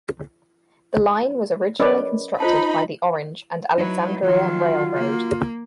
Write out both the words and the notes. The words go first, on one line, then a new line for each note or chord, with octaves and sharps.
The line was originally constructed by the Orange and Alexandria Railroad.
C#4 A#4 B4 D5 D#5 B5
D#4 F4 C5 A5 B5
F#3 D#4 E4 B4
D#3 F3 F#3 F4
F#4
A#3